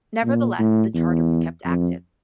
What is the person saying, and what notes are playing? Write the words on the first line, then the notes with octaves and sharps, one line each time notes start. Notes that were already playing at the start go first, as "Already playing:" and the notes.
Nevertheless, the charter was kept active.
A#2
A2
E2
F2